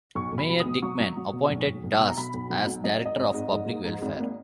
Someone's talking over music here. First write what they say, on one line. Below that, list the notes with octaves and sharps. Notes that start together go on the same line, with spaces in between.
Mayor Dickmann appointed Darst as Director of Public Welfare.
B1 C#6
B1
B5
B2
D#6
B2
F#3 C#6
F#3
F#3
B2
B1
B1
B1
B2
A#5
B2 B5
B1
B1
F#3
F#3 D#5
G#1 D#5
G#1
G#2
G#2
A#3
G#2
G#1
A#3